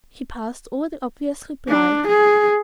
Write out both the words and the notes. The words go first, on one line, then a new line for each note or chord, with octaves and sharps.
He passed over the obvious reply.
D4
G#4